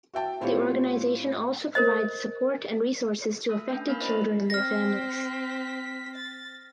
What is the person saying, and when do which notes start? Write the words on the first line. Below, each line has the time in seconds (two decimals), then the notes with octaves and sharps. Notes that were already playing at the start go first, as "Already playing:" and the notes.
The organization also provides support and resources to affected children and their families.
0.14 F#4 E5 G5 A5
0.41 A2 C4 E4 F4 G4 C#5
1.75 A#4 C5 D#5
3.49 A3 A4
3.69 C#4 D4 B4
3.88 A#3 B3 A#4 B4 F5 B5
4.00 E4 A#4 C5 D5 D#5 B5
4.50 C4 F6 A#6 B6
6.16 A6